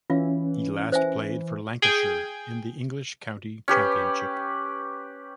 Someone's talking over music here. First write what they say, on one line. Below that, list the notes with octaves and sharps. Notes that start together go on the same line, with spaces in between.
He last played for Lancashire in the English County Championship.
E3 C#4 F4 F5
C5 E5 G#5
G#4 G5 G#6
C#4 G4 B4